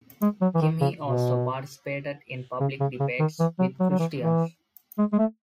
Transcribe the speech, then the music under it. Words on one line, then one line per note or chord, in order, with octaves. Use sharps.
Kimhi also participated in public debates with Christians.
G#3
F#3
E3
D#3
C#3
B2
C#3
C#3
C#3
D#3
E3
F#3
F#3
F#3
E3
E3
G#3
G#3
A3